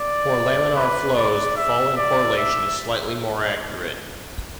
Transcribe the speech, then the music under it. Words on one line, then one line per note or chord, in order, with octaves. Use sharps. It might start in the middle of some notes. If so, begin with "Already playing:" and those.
For laminar flows, the following correlation is slightly more accurate.
Already playing: D5
B4
D5
E5
D5
E5